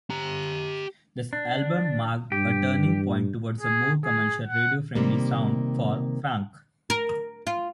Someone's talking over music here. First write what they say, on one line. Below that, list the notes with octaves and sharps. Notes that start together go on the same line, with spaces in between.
This album marked a turning point towards a more commercial radio-friendly sound for Phranc.
G4 A#5
D4
G2 G4
G#4
G#4
F#5
C3 D#3 G3 A#3
A#4
F4